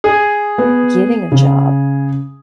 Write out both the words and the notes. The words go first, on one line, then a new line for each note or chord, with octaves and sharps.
getting a job,
G#4
B3
C#3